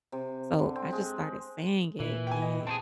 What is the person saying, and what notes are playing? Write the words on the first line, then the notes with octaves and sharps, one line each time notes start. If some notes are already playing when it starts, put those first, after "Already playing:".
So I just started saying it, and
C3
D3
C4
G#3
A#2 E3
G5 G#5
D#5
C4 F#4 G#4 A5